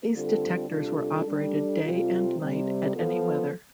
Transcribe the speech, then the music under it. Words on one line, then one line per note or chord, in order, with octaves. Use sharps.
These detectors were operated day and night at any weather.
D3 G3 C4 F4 A4
C3 G3 D4 F4 A4
G3 D4 A4
C3 G3 C4 F4 A4
C3 G3 C4
F3 B3 F4 A4